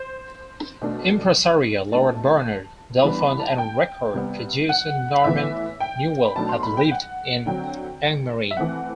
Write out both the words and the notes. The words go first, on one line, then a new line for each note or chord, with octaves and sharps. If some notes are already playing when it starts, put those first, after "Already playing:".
Impresario Lord Bernard Delfont and record producer Norman Newell have lived in Angmering.
Already playing: C5
B2 A3 D4
B2 A3 D4 A5
E3 G3 B3 D4 B5
B5
A5
G5
C3 G3 B3
F#5
A2 E3 B3 E5
G5
B5
B2 F#3 A3 D4 A5
C6
B5
G5
F#5
D3 F#3 C4 G5
E5
E3 A3 C4 F#5